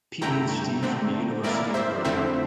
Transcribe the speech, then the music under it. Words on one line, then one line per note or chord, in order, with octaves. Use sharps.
Ph.D. from the University of Berlin.
G2 D3 A3 E4 G5 A#5
D3 A3 C4
A2 E3 A#3 E4 A#4 D5
C5 E5
F2 D3 A3 C4 E4 C5 E5